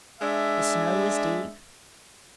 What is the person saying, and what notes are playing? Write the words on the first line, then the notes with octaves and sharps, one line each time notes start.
The snow was deep.
G#3 D4 E5